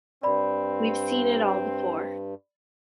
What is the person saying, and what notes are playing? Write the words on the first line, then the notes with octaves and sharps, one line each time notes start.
We've seen it all before.
G2 C4 D5 B5